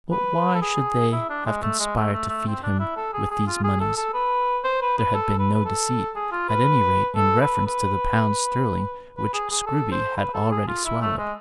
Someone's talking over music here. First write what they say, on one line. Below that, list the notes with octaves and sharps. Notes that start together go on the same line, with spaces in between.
But why should they have conspired to feed him with these moneys? There had been no deceit, at any rate, in reference to the pounds sterling which Scruby had already swallowed.
B4
A4
G#4
E4
D4
G#3
A3
G#3
A3
A3
A3
C4
D4
E4
A4
G#4
G#4
F4
G#4
A4
A4
B4
C5
B4
B4
A4
B4
B4
A4
G#4
F4
B4
A4
B4
B4
B4
G#4
G#4
A4
C5
B4
A4
G#4
F4
E4
A3
G#3